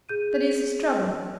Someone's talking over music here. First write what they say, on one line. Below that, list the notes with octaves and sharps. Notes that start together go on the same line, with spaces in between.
'That is his trouble.
G#4 G6 D#7